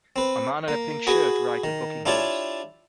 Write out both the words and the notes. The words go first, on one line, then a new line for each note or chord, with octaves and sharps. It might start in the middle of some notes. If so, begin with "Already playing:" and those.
A man in a pink shirt rides a bucking horse.
C4 B4
A#3
F#4 G#4 B4
D#3
D4 E4 F4 G4 C#5 D5